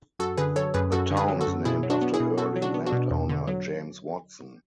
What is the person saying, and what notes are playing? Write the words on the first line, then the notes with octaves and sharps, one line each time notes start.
The town is named after early landowner James Watson.
F#2 F#4 A4
D3 G#4 B4
F#3 A4 C#5
F#2 G#4 B4
F#2 F#4 A4
D3
G#4 B4
F#3
F#4 A4
F#2
B2 E4 G#4
F#3
D4 F#4
B3
E4 G#4
B2
B2 F#4 A4
F#3
D4 F#4
B3
D4 F#4
B2
E2
D3
F#3